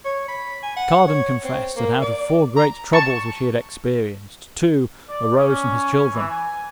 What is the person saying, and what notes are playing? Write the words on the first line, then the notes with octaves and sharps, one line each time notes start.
Cardan confessed, that out of four great troubles which he had experienced, two arose from his children.
C#5
B5
G#5
F#5
C#5
C4
A#3
D5
A#5
A5 C#6
D5
C#4
G#5
E3
G#5